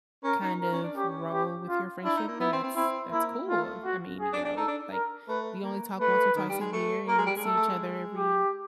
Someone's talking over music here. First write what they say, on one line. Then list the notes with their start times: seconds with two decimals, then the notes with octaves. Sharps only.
kind of roll with your friendship, then that's that's cool. If, I mean, you know, like, if you only talk once or twice a year and see each other every
0.24 C#4 A#4
0.42 D#4
0.60 A#4
0.72 C#4
0.84 D4
0.96 C#4 G4
1.32 G4
1.69 F4
2.04 D4 E4
2.16 D#4
2.28 A#3
2.40 B3 E4
2.52 C4
2.64 C4
2.76 C4 E4
3.12 A#3 E4
3.48 A3 F4
3.84 F#4
4.20 G#4
4.33 D4
4.45 D4
4.57 D#4 A4
4.68 D4
4.93 A#4
5.28 A3 B4
5.64 A#3
6.00 A3 B4
6.36 D#3
6.49 G3
6.60 G#3
6.73 A3
7.08 A#3 A#4
7.18 G#3
7.26 G3
7.36 G#3
7.45 A3 A4
7.56 A3
7.69 G#3
8.16 G4